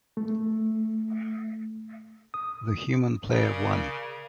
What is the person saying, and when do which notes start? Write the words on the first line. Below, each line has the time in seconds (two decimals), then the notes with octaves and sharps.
The human player won.
0.17 A3
2.34 D#6
3.30 C#3 A#4 D5